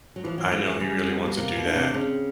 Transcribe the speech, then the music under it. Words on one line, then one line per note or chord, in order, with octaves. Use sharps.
I know he really wants to do that,
F#3
E3 F3
F#3
F3 G#3
E3
C#3 G3
B3
B2
C3 A#3
B2
D4
C3
C#3 C4